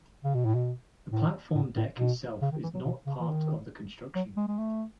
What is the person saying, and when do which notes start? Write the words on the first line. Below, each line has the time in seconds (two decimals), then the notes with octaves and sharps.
The platform deck itself is not a part of the construction.
0.24 C#3
0.35 B2
0.45 A2
0.55 B2
1.11 A2
1.55 A2
1.77 A2
1.99 B2
2.42 C#3
2.52 D#3
2.63 E3
2.74 F#3
2.85 B2
3.07 C#3
3.20 E3
3.28 D#3
4.15 F#3
4.37 G#3
4.48 G#3
4.59 A3